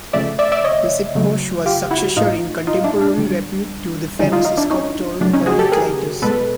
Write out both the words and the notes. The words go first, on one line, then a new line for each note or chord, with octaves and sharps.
Lysippos was successor in contemporary repute to the famous sculptor Polykleitos.
C#3 F3 A3 D5 E5
D5 E5
D5 E5
C#5 D#5
C#3 F#3 A3
F4 G4
E4 F#4
A2 F3 A3 D#4 F4
D#4 F4
D4 E4
D4
D3 G3
D3 F3 G#3 C#4 D#4
D#4 F4
D#4 F4
D4 E4
C#4 D#4
C#3 F#3 A3 D4
C#4 D#4
F#4 G#4
G4 A4
G#4 A#4
B2 G#3 A4 B4